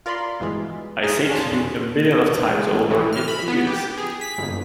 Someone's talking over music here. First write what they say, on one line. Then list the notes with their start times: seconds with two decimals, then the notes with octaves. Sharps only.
I say to you, a million of times over, it is.
0.06 F4 A#4 D5 B5 C6
0.40 G1 B2 E3 G#3
1.03 D#4 G#4 F6
1.29 C#4 D4 F5 A5 C6
1.50 E2
2.46 G#3
2.72 A1
2.91 E3
3.13 F6
3.28 B5
3.48 B3
3.67 G4
3.97 G#4
4.21 B6
4.38 G1